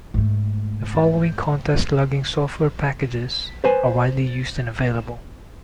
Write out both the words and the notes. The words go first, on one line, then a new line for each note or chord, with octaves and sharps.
The following contest logging software packages are widely used and available.
G#2 A3
B4 C5 G#5